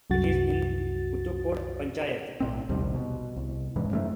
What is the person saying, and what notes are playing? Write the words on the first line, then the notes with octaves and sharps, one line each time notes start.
It is in Puthucode Panchayath.
C2 F#2 F#4 A6
B1 A2 C4
A#1 D#2 C3 G3
B2
C2
E1 G#2 E3
F#2 G3 A3